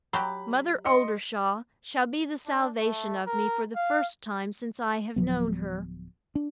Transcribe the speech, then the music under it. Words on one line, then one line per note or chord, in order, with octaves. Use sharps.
Mother Oldershaw shall be the salvation of me for the first time since I have known her.
F#3 G4 A#5 B5
D#5 C6 C#7
D4
A3
A#4
F5
D1 F3 F#3 B3
D4